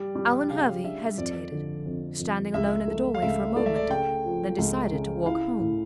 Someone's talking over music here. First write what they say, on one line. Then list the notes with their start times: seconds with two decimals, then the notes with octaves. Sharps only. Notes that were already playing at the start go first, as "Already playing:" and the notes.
Alvan Hervey hesitated, standing alone in the doorway for a moment; then decided to walk home.
Already playing: G3 D5
0.15 G3
0.50 C#3 F5
0.84 D4 E5
1.17 F2 D5
1.51 D3
1.86 F2
2.19 F2
2.54 C#2 E5
2.88 A3
3.15 F5
3.22 C#2 E5
3.56 A3 D5
3.66 E5
3.75 D5
3.89 C#3 G5
4.25 F3
4.58 C#2
4.92 C#3
5.26 E4 F5
5.60 A2